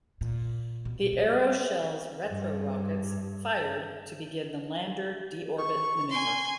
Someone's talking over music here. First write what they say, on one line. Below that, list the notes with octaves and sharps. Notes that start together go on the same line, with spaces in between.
The aeroshell's retrorockets fired to begin the lander de-orbit maneuver.
A#2
B2
G3
G2
C#6
G#5 C6